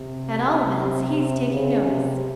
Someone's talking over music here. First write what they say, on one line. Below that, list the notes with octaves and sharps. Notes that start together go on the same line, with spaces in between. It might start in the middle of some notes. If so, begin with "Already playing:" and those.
"At all events, he's taking notice."
Already playing: C3
C3
C3
C3
C#3
C3